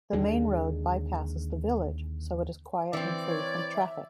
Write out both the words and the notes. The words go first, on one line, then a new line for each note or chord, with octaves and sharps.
The main road bypasses the village so it is quiet and free from traffic.
D#2 D3 G#3
E3 C4 D5
C#5
E5